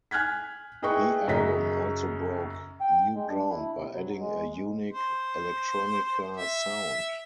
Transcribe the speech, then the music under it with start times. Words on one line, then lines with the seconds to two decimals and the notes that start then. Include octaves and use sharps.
The album also broke new ground by adding a unique electronica sound.
0.11 G#5 F6 F#6 G#6 B6
0.82 E4 G#4 B4 D#5 G5 C#6
1.28 F#2 C#3 F#3 D#5 E5 B6
2.81 G5
3.15 G#3
3.28 D4
3.49 E4
3.76 C3
3.93 F#3
4.19 G#3
4.91 C5
6.37 E5